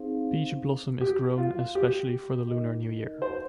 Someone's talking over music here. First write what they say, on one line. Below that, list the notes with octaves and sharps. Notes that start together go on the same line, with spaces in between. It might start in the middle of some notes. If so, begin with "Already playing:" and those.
Peach blossom is grown especially for the Lunar New Year.
Already playing: C4 D#4 G#4 C5 F5
G4
F4
G4
D#4 A#4 D#5
C5